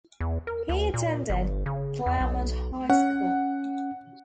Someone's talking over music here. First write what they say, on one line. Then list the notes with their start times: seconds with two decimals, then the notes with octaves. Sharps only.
He attended Claremont High School.
0.20 E2
0.47 A#4
0.69 D2
0.94 A#2
1.30 G1
1.66 C#3
2.06 E2
2.21 B1
2.90 C#4 F#5